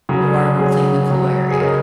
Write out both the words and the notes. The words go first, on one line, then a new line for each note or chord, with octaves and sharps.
or we'll clean the pool area.
C#3 F#3
C#3 F#3 G#4
C#3 F#3
G#4
C#3 G#3 A#4